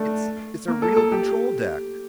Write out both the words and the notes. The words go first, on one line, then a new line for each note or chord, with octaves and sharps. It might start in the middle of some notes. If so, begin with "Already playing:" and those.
"It's--it's a real control deck!"
Already playing: A3 D4
A#3
A4
A4
G4